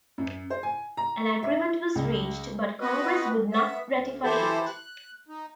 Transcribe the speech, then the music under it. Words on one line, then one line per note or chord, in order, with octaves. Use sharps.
An agreement was reached, but Congress would not ratify it.
F#2
C5
G#5
A#5
E5
C#2
B3 C4 F#4 B4 D#5
B3 E5
D2
E3 E4 G4 A4 C5
F#6
D#4